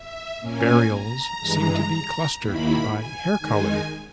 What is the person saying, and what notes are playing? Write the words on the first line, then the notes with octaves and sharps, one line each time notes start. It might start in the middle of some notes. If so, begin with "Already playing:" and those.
Burials seem to be clustered by hair-colour.
Already playing: E5
A#2 A#3 C#4 G#5
A#5
G2 E3 G#3
D#2 D#3 A#3 E4 B5
G#5
D#3 G#3 D#4 G#5